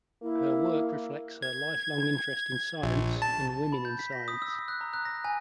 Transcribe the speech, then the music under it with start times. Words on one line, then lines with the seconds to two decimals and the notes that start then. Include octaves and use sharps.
Her work reflects her lifelong interest in science, and women in science.
0.22 A#3 E4
1.42 G#6
2.83 A#1
3.22 A5
3.72 B5
3.85 G6
3.99 B6
4.12 A#6
4.28 D#6
4.42 E6
4.55 D#6
4.68 F#6
4.81 A#5
4.94 F#6
5.05 A#6
5.25 G#5